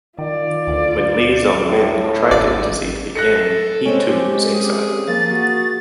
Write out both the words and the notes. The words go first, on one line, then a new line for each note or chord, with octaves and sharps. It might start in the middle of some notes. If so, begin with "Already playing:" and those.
When Li Zongmin tried to intercede for Yang, he too was exiled.
D#3 F4 D5
D2
A2
G#1 D5
A4 F#6 A#6 C#7
G#3 C4 C#4
G4
G#4
F3 A#3 A6
F#4